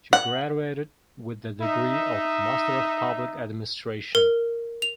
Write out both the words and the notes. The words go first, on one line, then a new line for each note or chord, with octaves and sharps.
She graduated with the degree of Master of Public Administration.
F#5
D#4 E5
A#4
F7